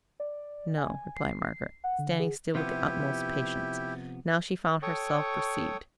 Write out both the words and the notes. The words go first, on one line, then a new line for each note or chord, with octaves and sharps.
'No!' replied Margaret, standing still with the utmost patience, now she found herself perceived.
D5
G#5
C7
F#5
D3
G#4
C3 F3 B3 E4 G4
A4 C#5 G5 C#6 D#6